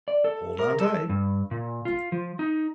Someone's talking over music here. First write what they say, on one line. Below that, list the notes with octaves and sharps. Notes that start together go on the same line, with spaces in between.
Hold on tight!
D5
A4
A#4
A4
G2
A#2
F4
F3
D#4